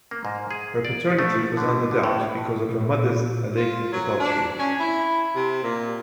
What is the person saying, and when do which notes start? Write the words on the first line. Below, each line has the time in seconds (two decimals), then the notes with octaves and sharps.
Her paternity was under doubt because of her mother's alleged adultery.
0.11 A#3
0.25 G#2
0.51 G#4
0.85 D5
1.19 A3
1.57 D3
1.91 D3
2.03 A2
2.69 A#2
3.56 F4
3.92 F#3
4.20 D4
4.59 C#4
4.80 E4
5.35 C3
5.63 A#2